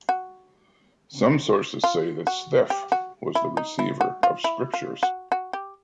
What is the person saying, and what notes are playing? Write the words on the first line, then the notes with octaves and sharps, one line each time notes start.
Some sources say that Seth was the receiver of scriptures.
F#4
F4
F#4
G4
F#4
E4
D#4
E4
F#4
F4
E4
F4
F#4
F#4
G4